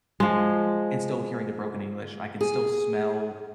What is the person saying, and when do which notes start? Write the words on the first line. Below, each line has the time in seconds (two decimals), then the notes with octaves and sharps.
and still hearing the broken English, I could still smell,
0.20 F3 G#3
2.41 G#4